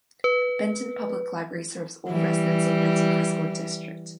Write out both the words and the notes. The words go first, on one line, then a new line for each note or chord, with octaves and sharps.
Benton Public Library serves all residents of Benton High School District.
B4
E3 G3